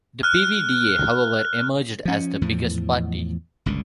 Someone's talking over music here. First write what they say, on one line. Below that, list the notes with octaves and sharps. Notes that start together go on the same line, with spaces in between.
The PvdA, however, emerged as the biggest party.
F6 F#6
F3 C#4
E2 A2 F3
G1 C#2 A#2